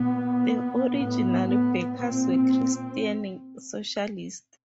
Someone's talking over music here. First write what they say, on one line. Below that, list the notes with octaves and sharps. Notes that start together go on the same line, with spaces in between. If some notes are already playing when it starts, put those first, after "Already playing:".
The original backers were Christian Socialists.
Already playing: A#2 B3
A2 B3
B3
A#2 C4